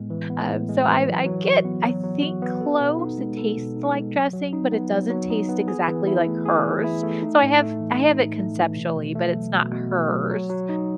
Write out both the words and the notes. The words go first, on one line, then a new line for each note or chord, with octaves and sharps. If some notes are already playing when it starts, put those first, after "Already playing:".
Um, so I I get, I think, close, it tastes like dressing, but it doesn't taste exactly like hers. So I have I have it conceptually, but it's not hers,
Already playing: A2 G#3 B3
E3
B3
A2
G#3
E3
F#3
F#3
F#4
B3
F#3
F#3
F#4
B3
A4
B2
D#4
G#3
A4
B2
D#4
G#3
F#3
F#3
D#4
B3
F#3
F#3
D#4
B3
G#4
E3
E4
A3
G#4
E3
E4
A3
D#4
A2
A3
E3
D#4
A2
A3
E3
B2
B2
A3
F#3
B2
B2
A3
F#3
F#3
F#3
D#4